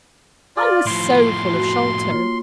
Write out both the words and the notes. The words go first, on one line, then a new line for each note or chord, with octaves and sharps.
I was so full of Sholto.
F4 D5
A2 F3 C6
F#4
A#3 F4 C#5